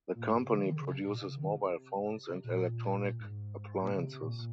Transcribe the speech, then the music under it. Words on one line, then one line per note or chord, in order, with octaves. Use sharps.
The company produces mobile phones and electronic appliances.
A#2
G#2
C3
C#3
F3
D#3
C#3
C3
A#2
C3
C#3
D#3
C3
C3
A#2
G#2
A#2
C#3
C3
C3
A#2
A#2